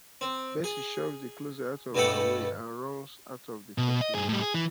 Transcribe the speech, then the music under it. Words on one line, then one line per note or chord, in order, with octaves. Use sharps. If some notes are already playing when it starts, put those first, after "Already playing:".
Bessy shoves the closest out of her way and runs out of the cottage.
C4
G#4
G2 B2 A3 G4 A4 F#5
B2
D#5
G2 G#4
A2 G3
G#4
E3